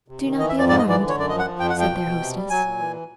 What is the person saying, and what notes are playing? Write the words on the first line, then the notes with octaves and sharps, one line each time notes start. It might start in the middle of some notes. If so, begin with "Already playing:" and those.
"Do not be alarmed," said their hostess.
C3
D#3
E3 D#5
E5
F2 D5
G#2 D5
D#5
E3 D5
D3
C#5
F#2 D5
F3 D#5
F#5
F3
F2 G5
F#5
F3
G5
B2
B2
C3
G3
F#3 G#5
A#2
E3